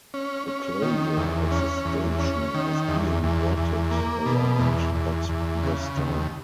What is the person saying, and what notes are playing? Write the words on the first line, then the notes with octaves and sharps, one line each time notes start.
The closure of the station was being batted around at this time.
C#4
C#4
D#3
E2
C#4
E2
C#4
D#3
E2
E2
E2
A#3
B2
E2
E2
E2
C#3
D#2